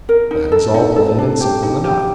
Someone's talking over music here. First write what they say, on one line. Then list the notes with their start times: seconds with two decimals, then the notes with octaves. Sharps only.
That is all plain and simple enough.
0.09 A#4
0.31 D#4
0.52 A4
0.74 D#4
0.96 A4
1.18 D4
1.41 G4
1.62 D#4
1.84 G4